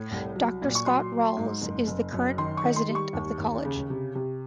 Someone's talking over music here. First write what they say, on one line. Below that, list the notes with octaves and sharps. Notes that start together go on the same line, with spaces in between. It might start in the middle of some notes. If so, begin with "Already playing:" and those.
Doctor Scott Ralls is the current president of the College.
Already playing: A2
C2
F#3
A#2
C#6
F#3 C6
F#3
G#2
F#1
F#1
F#2
D#3 C6
C#6
D#3
C6
G3
C#6
D#2
D#2
C#3
C3
C3